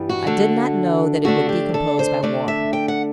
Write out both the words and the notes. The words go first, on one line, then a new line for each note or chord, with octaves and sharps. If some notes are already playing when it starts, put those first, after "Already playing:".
I did not know that it would decompose by water.
Already playing: G2 E3 G3 B3
F#4
D3 A3 D4
D3 A3 D4 F#4
G4
A4
C5
D3 A3 D4 D5
E5
G5
F#5